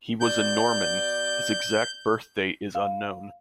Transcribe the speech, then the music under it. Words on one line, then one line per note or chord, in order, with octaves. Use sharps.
He was a Norman; his exact birth date is unknown.
B2 D5 G6
F5